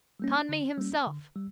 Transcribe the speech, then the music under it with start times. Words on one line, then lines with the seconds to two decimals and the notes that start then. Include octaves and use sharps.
Conmee himself!
0.20 G3 A#3 C#4
0.49 D3
0.78 G3 A#3 C#4
1.07 D3
1.36 G3